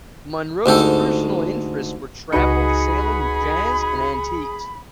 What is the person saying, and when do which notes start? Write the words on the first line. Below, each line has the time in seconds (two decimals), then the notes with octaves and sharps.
Munrow's personal interests were travel, sailing, jazz and antiques.
0.66 D2 G#2 G4 A4
2.33 C#2 D#4 F#4 G#4 B4 B5 C#7